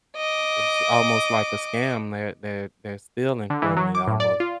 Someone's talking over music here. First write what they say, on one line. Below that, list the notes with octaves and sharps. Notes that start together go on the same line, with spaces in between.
It's almost like a scam, they're they're they're stealing from you almost
D#5 D6
D3
E3
F#3
D6
A2
D5
F4